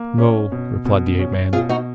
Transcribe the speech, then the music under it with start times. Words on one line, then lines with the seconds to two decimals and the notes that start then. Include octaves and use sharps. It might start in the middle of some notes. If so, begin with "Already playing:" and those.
"No," replied the ape-man.
Already playing: A#3
0.18 C#4
0.52 B2
0.85 B2
1.19 C#4
1.53 B2 F4 G#4
1.69 D#4 F#4